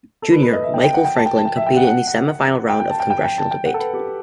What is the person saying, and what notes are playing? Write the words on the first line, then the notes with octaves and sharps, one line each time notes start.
Junior, Michael Franklin competed in the semi-final round of Congressional Debate.
A4
B4
B4
D#5
E5
G5
G5
F#5
G5
A5
G5
A5
G5
E5
G5
F#5
F#5
F#5
G5
G5
A5
G5
G5
G5
A5
G5
F#5
A4
B4
G4